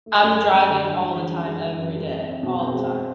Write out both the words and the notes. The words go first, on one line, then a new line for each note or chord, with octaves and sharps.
I'm driving all the time, every day, all the time.
A3
F#2
A3
F#2
D3
D3
E3
G#3
F#2
G#3
E3
F#2
G#3
C4
C4
B2
C4
G#3